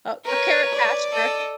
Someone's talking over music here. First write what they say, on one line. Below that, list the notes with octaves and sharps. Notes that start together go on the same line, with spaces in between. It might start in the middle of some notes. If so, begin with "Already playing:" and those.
Oh, a carrot pasture.
A#4 B4 C#5
D5
A4 D#5